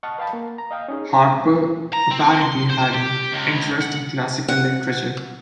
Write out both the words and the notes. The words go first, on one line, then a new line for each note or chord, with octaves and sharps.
Harpur apparently had an interest in classical literature.
D#5 F#5 A5 C#6 D#6 F6
B4 F5 G5 A5 B5
A#3
A#5
D#5 F5 G5 D#6 F6
C#4 D#4 G#4
A#5
C4
C6
C5
G4
C#2
F#5
F#5